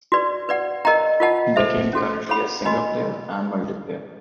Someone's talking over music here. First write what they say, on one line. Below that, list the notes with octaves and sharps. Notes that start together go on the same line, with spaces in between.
The game currently has singleplayer and multiplayer.
F#4 B4 D5
B4 D5 F#5
A#4 D#5 G5 A#5
F4 A#4 D#5 F#5 A5
A4 C5 E5
C#4 F#4 A4
A4 C#5 F#5 B5
F#4 B4 D#5 G#5 B5